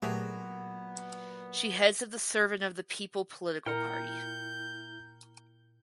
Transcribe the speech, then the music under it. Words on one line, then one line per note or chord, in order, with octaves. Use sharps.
She heads of the Servant of the People political party.
A#2 F#3 A3 B3 G4 G#4
A#2 E4 A#4 G5 A#5 F6 G6 C#7